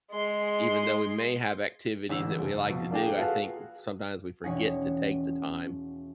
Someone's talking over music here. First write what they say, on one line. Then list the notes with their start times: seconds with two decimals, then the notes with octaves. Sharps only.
even though we may have activities that we like to do, I think, uh, sometimes we forget to take the time
0.11 G#3 C6
2.10 A1 D3 E3 E6
2.39 F#1
2.69 B2 F3
2.91 A#3 D4 G#4 G5
3.17 F4 F#4 G#4 A4 B4 F5
4.43 E1 C#4 D#4 F#5 G#5